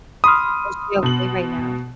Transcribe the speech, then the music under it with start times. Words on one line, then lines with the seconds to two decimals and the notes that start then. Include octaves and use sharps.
Is she okay right now?
0.24 B5 C6 D#6 F6
1.03 B2 F#7